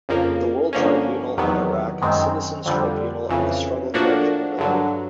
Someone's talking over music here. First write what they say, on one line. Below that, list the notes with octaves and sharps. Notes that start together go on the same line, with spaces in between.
'The World Tribunal on Iraq: Citizens' Tribunals and the Struggle for Accountability'.
F2 C#3 F3 A#3
G2 D3 F3 A#3 C#4
E2 C3 D#3 F#3 B3
F#2 D#3 G#3 C4
F2 D3 G3
F2 C#3 E3
A2 F3 A#3 D4 F#4
G2 D3 F#3